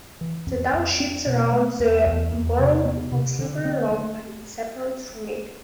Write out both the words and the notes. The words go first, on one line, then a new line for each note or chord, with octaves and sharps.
The township surrounds the borough of Slippery Rock but is separate from it.
E3
F2
F2
C4
B2
A3
E2
E2
E2
C3
B3
C3
D3
C4
A3